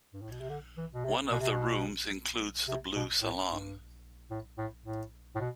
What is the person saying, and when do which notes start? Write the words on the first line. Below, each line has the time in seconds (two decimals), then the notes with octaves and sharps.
One of the rooms includes the Blue Salon.
0.13 G2
0.22 A2
0.31 B2
0.41 C3
0.50 D3
0.77 E3
0.95 B2
1.05 C3
1.31 B2
1.40 C3
1.49 B2
2.68 C3
2.96 B2
3.22 A2
3.49 G2
4.31 A2
4.58 A2
4.86 A2
5.35 A2
5.41 B2